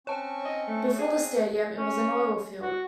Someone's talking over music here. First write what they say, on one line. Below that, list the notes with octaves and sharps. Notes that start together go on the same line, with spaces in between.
Before the stadium, it was an oil field.
C4 C#4 C#5 A5 C#6
D#5
A3
C4 D4 G#4
C#4
F#4